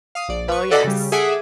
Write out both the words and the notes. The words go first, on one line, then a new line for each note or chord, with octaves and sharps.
Oh yes.
F5 D#6
A#1 D5
B4 C#6
F#4 A4 D5 D#5 D6 B6
C#3 G3
G#4 A4 E5 F#5 G#5 D6